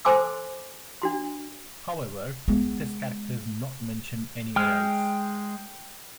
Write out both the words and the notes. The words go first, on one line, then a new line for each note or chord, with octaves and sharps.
However, this character is not mentioned anywhere else.
A4 C5 G#5 C6 D6 E6
D4 F#4 C6
G#3 B3
G#3 G5 F6